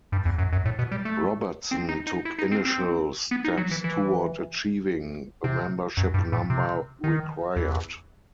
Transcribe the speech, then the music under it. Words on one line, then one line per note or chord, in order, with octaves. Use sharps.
Robertson took initial steps toward achieving the membership number required.
G2
E2
F#2
F#2
A2
B2
G3
A3
C4
D#4
D#4
E4
D#4
C4
C4
B3
D#4
F#3
E3
E3
C3
F#2
G2
A2
C3
D#3
E2